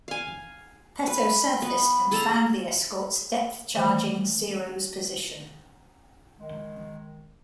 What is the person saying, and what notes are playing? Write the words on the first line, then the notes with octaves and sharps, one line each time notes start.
"Peto" surfaced and found the escorts depth charging "Cero"s position.
F5 G#5
B4
B3
G#4 A4 A5 A#5
D#3 E3 A3 C5
D#3 G#3